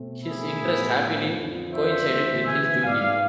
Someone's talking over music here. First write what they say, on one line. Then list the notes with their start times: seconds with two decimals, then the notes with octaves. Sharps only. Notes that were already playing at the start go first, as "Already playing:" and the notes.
His interest happily coincided with his duty.
Already playing: B2 A3 C4
0.24 E4 G#4
0.62 A2 F3 B3
1.36 F2 D3 F3
1.73 C5 E5
2.10 D2 C3 E3 B3
2.47 E5 G#5
2.84 G#2 F3 G#3 B3 D5 F5